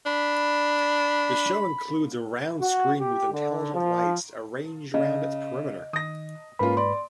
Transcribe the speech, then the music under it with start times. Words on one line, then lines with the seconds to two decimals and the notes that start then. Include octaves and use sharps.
The show includes a round screen with intelligent lights arranged around its perimeter.
0.06 D4 B5
2.60 F#4
2.98 G4
3.31 D3
3.74 F3
4.94 C#3 D#5
5.93 D#3 D#6 A#6
6.59 G#2 A#3 C#4 F4 B4 B5
6.77 D5 C6